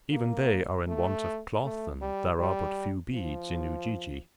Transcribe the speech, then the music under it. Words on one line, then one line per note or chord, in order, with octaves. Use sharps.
Even they are in want of cloth, and there are but few beads in Ujiji.
A#3
A3
A3
G3
G3
F3